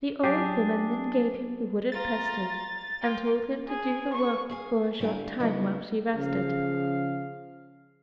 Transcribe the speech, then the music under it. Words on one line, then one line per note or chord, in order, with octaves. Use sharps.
The old woman then gave him the wooden pestle and told him to do the work for a short time while she rested.
F#3 D4 G4 G#4 F5
F4 A#5 A6
F4 G5
G#4
C#6
G#4 F5 G#5
D3 G3 E4 F5 G#5 A#5
C#3 F#3 A3 B3 D#4 E4
C#3 F3 G#4 F5